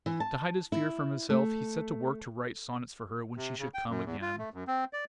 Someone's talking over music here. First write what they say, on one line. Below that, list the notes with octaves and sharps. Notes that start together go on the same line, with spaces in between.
To hide his fear from himself, he set to work to write sonnets for her when she should come again....
E3
A5
E4
A3
C3
C#3
G5
F#2
E2
F4
A3
F#2
C4
D5